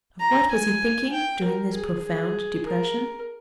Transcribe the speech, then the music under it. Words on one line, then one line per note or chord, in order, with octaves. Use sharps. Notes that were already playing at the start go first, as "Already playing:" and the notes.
Of what was he thinking during this profound depression?
A#5
G#5
G5
A#4
G#4
G#4
A#4